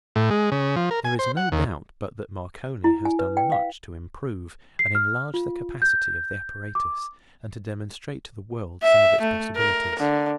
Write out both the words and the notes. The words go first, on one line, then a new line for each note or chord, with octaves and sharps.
There is no doubt but that Marconi has done much to improve and enlarge the capacity of the apparatus and to demonstrate to the world some of its possibilities.
A2
G#3
C#3
F3
A#4
G#5
C5
F#5
D#2
E4
G#5
B4
G5
F5
C7
F6
F4
G6
D6
E5
A3
A#4
D3